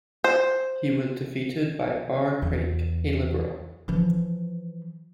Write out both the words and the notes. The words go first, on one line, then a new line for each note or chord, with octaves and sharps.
He was defeated by R. Craik, a Liberal.
C5
E2
E3 F3